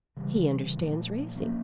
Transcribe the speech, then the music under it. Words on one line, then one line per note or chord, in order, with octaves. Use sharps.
"He understands racing."
C#3 E3 G3
A#2 F3 A3
F3 A#3 C#4